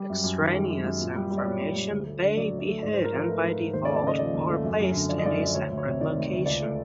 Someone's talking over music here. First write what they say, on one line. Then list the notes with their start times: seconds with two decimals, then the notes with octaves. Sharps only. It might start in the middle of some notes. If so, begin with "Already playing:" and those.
Extraneous information may be hidden by default or placed in a separate location.
Already playing: G3
0.10 F#2
0.24 F#2
0.40 D#3
0.55 G#3
0.70 F#2
0.84 F#2
1.01 A#2
1.16 G3
1.31 G3
1.38 D5
1.45 A#2 C#5
1.60 A#2
1.76 G3
1.92 D2
2.06 A3
2.22 D3
2.37 F#3 D5
2.52 D2
2.59 D5
2.67 A3
2.83 G#2 D5
2.93 C5
2.97 G#2
3.04 A#4
3.12 F3 C5
3.24 B4
3.28 A3 A#4
3.39 G#2 B4
3.58 G#2
3.73 D#2 C5
3.85 D5
3.88 A3
3.96 D5
4.03 C#3 D#5
4.19 F3 D5
4.34 D#2
4.49 A3
4.64 F#2
4.80 F#2
4.94 D3
5.09 F3 D5
5.18 D#5
5.25 F#2 D5
5.40 F#2
5.55 D2 C#5
5.71 D2
5.78 C#5
5.86 C3
6.01 D#3 D5
6.16 D2
6.31 D2
6.46 C#2 D5
6.61 A3